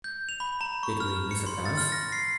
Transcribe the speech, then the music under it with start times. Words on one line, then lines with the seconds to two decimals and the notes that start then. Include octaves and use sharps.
Did we miss a dance?
0.04 G6
0.29 F7
0.40 B5
0.61 A#5
0.83 C#6
1.00 F6
1.31 C#7
1.47 C6
1.65 A6
1.77 F6
1.92 A#6
2.12 C7